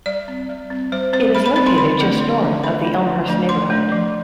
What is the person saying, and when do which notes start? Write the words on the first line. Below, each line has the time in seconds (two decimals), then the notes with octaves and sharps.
It is located just north of the Elmhurst neighborhood.
0.06 G3 D5
0.28 C4
0.49 G3
0.70 C4
0.92 G3 C5
1.13 C4 C5
1.35 G3 B5
1.46 B5
1.56 C4 B5
1.66 C6
1.77 D3 B5
1.99 F3 A3 D4
2.21 D3
2.42 F3 A3 D4
2.64 D3 B5
2.84 F3 A3 D4
3.06 D3
3.28 F3 A3 D4
3.49 F3 C6
3.70 A3 D4
3.92 F3